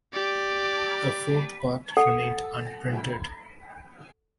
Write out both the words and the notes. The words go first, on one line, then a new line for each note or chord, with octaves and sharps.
A fourth part remained unprinted.
G4 D5
A4 F#5